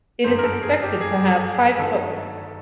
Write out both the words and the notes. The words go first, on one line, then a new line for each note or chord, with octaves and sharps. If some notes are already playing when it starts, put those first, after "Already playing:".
It is expected to have five books.
G1 F#2 D3 F#3 A3 C5
A#4
A4
G#4
G4
G#4
A4
G#4
G2 D#3 F#3 A3 A4